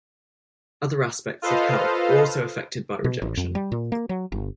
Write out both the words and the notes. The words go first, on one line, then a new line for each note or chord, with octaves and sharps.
Other aspects of health are also affected by rejection.
F4 A4 B4 C5 D#5 F5
B2
A1
F2
G3
A#2
A#3
F#3
G1